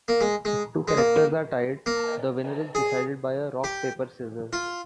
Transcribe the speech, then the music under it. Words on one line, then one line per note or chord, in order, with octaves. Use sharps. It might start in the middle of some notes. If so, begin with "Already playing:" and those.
If two characters are tied, the winner is decided by a rock-paper-scissors.
A#3
G#3
G#3
G#3
A#3
A#3
G#4
G4
F4